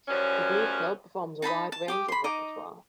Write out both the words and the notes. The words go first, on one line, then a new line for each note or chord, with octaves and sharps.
The Glee Club performs a wide range of repertoire.
F#2 F3 G3 C#4
D#4 A5 B5 D#6
A5
G4 D6 D#6
B5 C6
D#4 D#5 A#5 D6